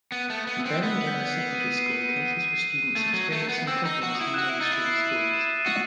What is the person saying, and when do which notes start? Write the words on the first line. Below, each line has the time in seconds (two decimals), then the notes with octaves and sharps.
Berengarra Secondary School caters for students experiencing problems in mainstream schools.
0.12 B3 F#6
0.30 A3
0.36 D#6
0.47 B3
0.60 E6
0.65 C4
0.83 B3 F#6
1.07 G6
1.30 C7
1.55 D#7
1.73 D#7
1.78 C7
2.02 D#7
2.25 D#7
2.38 D#7
2.48 C7
2.73 D#7
2.96 A3 D#7
3.14 F#3
3.32 A3
3.49 B3
3.67 C4 E6
3.85 D#4
3.91 E6
4.03 F#4
4.15 D#6
4.21 E4
4.34 F#6
4.38 F#4 E6
4.49 E4
4.61 D#4 A6
4.72 E4
4.86 C7
5.09 D#7
5.24 D#7
5.33 E7
5.56 D#7
5.66 F#4